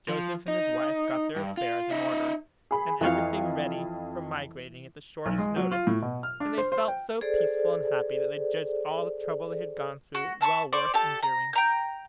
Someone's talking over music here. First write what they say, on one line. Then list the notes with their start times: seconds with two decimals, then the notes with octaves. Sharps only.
Joseph and his wife got their affairs in order, and everything ready for migrating at the shortest notice; and they felt so peaceful and happy that they judged all the trouble they had gone through well worth enduring.
0.09 F3
0.48 D#4
1.36 G2
1.57 F4
1.91 D#4 E5
2.71 G#4 B5
3.01 F2 E3 F4 C#5 F5
5.26 B1
5.38 G#3
5.56 F#3
5.71 F4
5.87 A2
6.02 B2
6.23 F6
6.40 D4
6.58 C5
6.72 C5
6.88 G5
7.21 G#4 A4 C5 D5
10.15 F#4
10.41 E5 A5 C6 C#6
10.73 C5 D5 C#6
10.94 G4 A4 A5
11.23 A#5
11.53 G5 A#5 G6